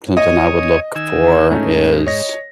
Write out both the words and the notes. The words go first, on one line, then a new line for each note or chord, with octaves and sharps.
something I would look for is
C#5 D#5 G#5 D#6
D#3 G#5 E6
G#2 A3 C#4 D#4
C#5 D#5 A#6